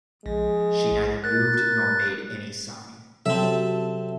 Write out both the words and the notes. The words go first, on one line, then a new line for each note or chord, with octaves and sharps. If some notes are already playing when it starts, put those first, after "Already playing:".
She neither moved nor made any sign.
A#1 G#3
A#4 F#6 A6
C3 F#3 C4 A4 E5